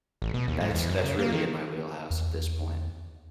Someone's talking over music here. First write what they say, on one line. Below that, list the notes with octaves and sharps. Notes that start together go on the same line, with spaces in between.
That's that's really in my wheelhouse at this point.
A1
B2
D#2
G#2
E2
F#2
C#3
A#3
D#3
E2